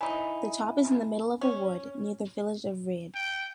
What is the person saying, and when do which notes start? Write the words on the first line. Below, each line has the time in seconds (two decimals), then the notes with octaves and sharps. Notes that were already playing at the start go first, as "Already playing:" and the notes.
The top is in the middle of a wood, near the village of Rede.
0.01 E3 D#4 G#5 B5
1.41 C#4
3.15 G5